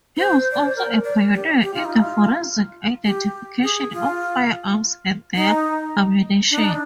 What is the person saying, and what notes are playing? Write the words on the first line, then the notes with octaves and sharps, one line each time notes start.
He was also a pioneer in the forensic identification of firearms and their ammunition.
C5
D5
C5
A#4
D5
G4
G4
F4
D#4
F4
G4
G#4
F4
D#4
D4
D#4
D4